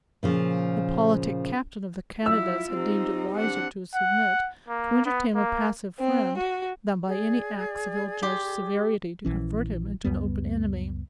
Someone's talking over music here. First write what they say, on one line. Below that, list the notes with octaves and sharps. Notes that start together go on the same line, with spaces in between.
The politic captain of the Canadas had deemed it wiser to submit to entertain a passive friend, than by any acts of ill-judged severity to convert him into an open enemy.
A#2 C#3 F3
F#3 E4 F4 E6
C4 D#4 G4
C4 D4 F#5
F#5
A#3
B3
A#3
C4
F#4
G#4 D5
G4 C6
A#1 E3 C#4
C#2 F#2 G3 B3